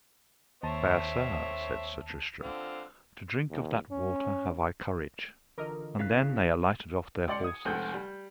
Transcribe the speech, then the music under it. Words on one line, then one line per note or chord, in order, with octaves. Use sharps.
Fair sir, said Sir Tristram, to drink of that water have I courage; and then they alighted off their horses.
D#2 C4 C#5 E5 A5
D3 C4 F4
D#2
C#4
D3 E3 F4 A#4 D#5
G1 C#3 E4 F5 F#6 B6
C#2 D5 C6 C#7
D#6 G#6
F1 C#2 C4 A4 F#5 G6
G3